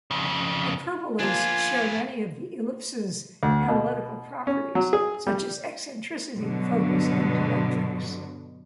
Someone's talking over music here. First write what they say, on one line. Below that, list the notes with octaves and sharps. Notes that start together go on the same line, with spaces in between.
Hyperbolas share many of the ellipses' analytical properties such as eccentricity, focus, and directrix.
F2 C#3
F3 A#3 B3 D4 F4 G#5
D2
B2
C#4
F#3
G#4
G3
G2 B2 D3 F#3